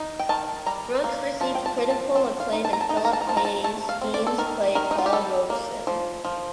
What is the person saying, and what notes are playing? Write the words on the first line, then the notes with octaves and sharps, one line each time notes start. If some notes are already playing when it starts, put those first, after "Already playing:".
Brooks received critical acclaim in Phillip Hayes Dean's play "Paul Robeson".
Already playing: D#4
G5
D#3 A5
G3 A#5
A#3
F3 A5
G5
A5
F3
A5
C4 A5
F5
D#4
A5
A#5
A5
D#4 A#5
A5
A#5
A5
A#5
F3 A5
A#5
A5
A3 A5
F5
C4
D5
A4
D#3 A#4
D#3 A#4
D#4
F4
G4
G3 A4
A#3
F3
F3